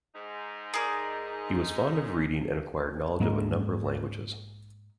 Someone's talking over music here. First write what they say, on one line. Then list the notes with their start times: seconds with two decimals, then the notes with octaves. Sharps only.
He was fond of reading and acquired knowledge of a number of languages.
0.14 G#2 D#4
0.74 G#4 A#4 D5
3.20 G#2 G#3 A#3